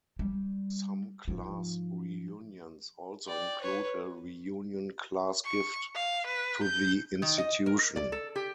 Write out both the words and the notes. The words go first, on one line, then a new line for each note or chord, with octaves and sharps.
Some class reunions also include a reunion class gift to the institution.
G3
G#2 F3
D5 G5
B4 C#5
C#6
F5
B4
G6
D#3
D#5
A#4
D5
A4
G4